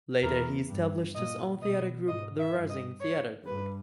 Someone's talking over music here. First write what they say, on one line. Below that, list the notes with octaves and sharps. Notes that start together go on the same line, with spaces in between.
Later he established his own theatre group "The Rising Theatre Group".
E2 A#4
G2
A#2 D#5
B2 D#5
G#2 D#5
E5
G2
D#5
C#5
G2 B4